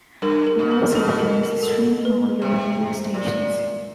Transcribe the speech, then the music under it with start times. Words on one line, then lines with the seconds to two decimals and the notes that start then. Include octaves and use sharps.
It also offers streaming audio radio stations.
0.22 G2 A#4
0.47 A#4
0.59 B2
0.71 A#4
0.90 C3
0.95 B2 A4
1.19 A#4
1.43 A#4
1.63 A4
1.68 A#4
2.05 B4
2.42 C3
3.14 A#2